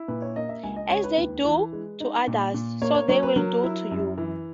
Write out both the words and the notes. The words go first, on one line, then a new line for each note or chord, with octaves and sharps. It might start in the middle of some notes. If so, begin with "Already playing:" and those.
As they do to others, so they will do to you.
Already playing: E4
A#2 B4
C#5
A#3 D#5
E5
C#2 G#5
D#5
C#2 C#5
B4
D#2 B4
E3
G#3
D#4
A#2
A#2
A#3 C#5
C#5
F#3 C#5
B4
F#3 A#4
E4
F#2
E3